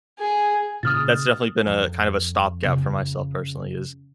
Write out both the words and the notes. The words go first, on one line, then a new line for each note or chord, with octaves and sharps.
that's definitely been a kind of a stopgap for myself personally is
G#4
A#2 C#3 D#6 F6 A6
F2
F2 C#3